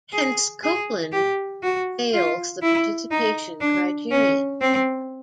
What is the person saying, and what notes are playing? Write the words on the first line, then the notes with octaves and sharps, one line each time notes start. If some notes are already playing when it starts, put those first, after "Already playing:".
Hence, Copeland fails the Participation criterion.
G#4
G#4
G4
F#4
F4
E4
D#4
D4
C#4
C4